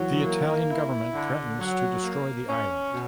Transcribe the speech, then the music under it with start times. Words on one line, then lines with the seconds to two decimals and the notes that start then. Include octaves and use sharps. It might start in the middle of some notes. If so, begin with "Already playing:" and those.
The Italian government threatens to destroy the island.
Already playing: E3 F#3
0.24 A#3
0.69 E4
1.13 D3
1.58 F#3
2.03 A#3
2.47 C#4
2.92 B2